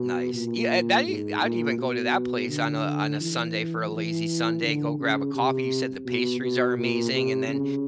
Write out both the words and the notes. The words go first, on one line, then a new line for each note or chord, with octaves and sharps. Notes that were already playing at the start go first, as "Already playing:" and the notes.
Nice. Yeah, uh, that i I'd even go to that place on a on a Sunday for a lazy Sunday, go grab a coffee. You said the pastries are amazing, and then
Already playing: B2
A#2
G#2
A#2
B2
D3
E3
E3
D3
C#3
C3
B2
B2
A#2
C3
C#3